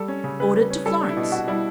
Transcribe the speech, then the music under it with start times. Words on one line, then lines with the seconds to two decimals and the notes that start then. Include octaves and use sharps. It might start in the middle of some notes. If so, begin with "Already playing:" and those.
Ordered to Florence.
Already playing: G3 A4
0.08 C#4
0.24 C#3
0.40 C#3 B4
0.55 G3
0.70 C#4
0.86 G3 A4
1.01 D4
1.09 E4
1.17 B2
1.32 B2 F#4
1.48 G3 E4